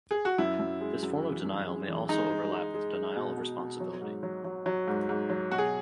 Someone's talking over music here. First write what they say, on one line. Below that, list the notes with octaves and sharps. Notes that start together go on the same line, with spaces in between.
This form of denial may also overlap with denial of responsibility.
G#4
F#4
F#2 E4
F#2
G#3
F#2
E3
F#2
G#3
E3
G#3 D#4
G#3
G#3
G#3
G#3
B2
B2
B2
F#3
G#2
F#3
F#3
F#3
G#2
G#2
F#3
B2 F#4
G#4